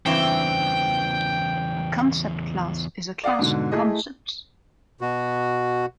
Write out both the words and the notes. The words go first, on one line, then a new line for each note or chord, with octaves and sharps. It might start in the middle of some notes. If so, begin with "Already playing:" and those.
A concept class is a class of concepts.
E2 G2 C#3 E3 C4 G5
D5 F5 F#5 D#6
G#2 B2 D3
A3 E4 G#4 D#5
B2 F#4